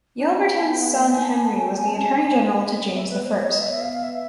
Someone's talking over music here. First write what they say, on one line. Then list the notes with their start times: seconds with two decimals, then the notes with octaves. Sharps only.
Yelverton's son Henry was Attorney-General to James the First.
0.19 D4
0.28 C#4
0.36 C4 A5
0.48 A5
0.58 B3 G#5
0.68 G5
0.80 B3 F#5
0.91 F5
0.94 A#3
1.01 G5
1.08 B3 G#5
1.23 C4 A5
1.33 B3 G#5
1.44 B3 A5
1.55 A3 G#5
1.66 A#3 G5
1.76 B3 G#5
1.87 C4 A5
1.98 C#4 G#5
2.09 C#4
2.20 C4
2.30 C4
2.41 C4
2.95 B3 E5
3.10 B4
3.24 C5
3.39 C#5
3.49 D#5
3.60 E5
3.71 E5
3.81 F5
3.93 F5
4.03 E5
4.13 E5